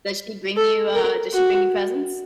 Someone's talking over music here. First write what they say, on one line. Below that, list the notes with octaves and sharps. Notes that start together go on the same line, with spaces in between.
Does she bring you, uh, does she bring you presents?
A4
A#4
F#4